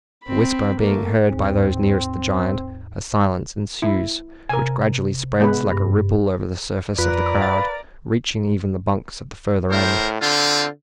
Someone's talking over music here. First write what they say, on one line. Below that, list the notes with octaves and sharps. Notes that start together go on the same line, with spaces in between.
The whisper being heard by those nearest the giant, a silence ensues, which gradually spreads like a ripple over the surface of the crowd, reaching even the bunks at the further end.
C4 B5
A3 A#3
D#2 G#2 C4
E4
C3 A#4 G#5
G#3 B3 B4
G2
F2 F4 A#4 B4 D5
F5 A6
A2 A#4 C5
D3 C4 F4